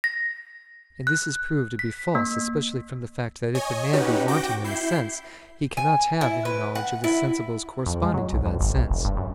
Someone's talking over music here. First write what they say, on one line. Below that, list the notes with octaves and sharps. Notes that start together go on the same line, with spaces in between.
And this is proved to be false especially from the fact that if a man be wanting in a sense, he cannot have any knowledge of the sensibles corresponding to that sense.
A#6
F#6
B6
A#3
C#5 D#5 G#5
C#4 D#4 F#4 G4 B4
F#4 G5 D6 G6 A#6
E4 G6 C7
G#5
E4
B4
F#5
E4
F2
G#3
F#3
B1
F2
G#1
B1
F1
G2
F#2